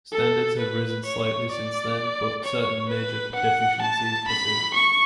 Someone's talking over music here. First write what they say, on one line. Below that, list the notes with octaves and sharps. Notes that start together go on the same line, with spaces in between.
Standards have risen slightly since then, but certain major deficiencies persist.
A4
B4
C#5
D5
C#5
B4
F#5
A5
B5
C#6